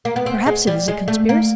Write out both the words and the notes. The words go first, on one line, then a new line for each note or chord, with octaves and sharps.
Perhaps it is a conspiracy.
A#3
B3
C4
G#3
G3
G#3
A3
A#3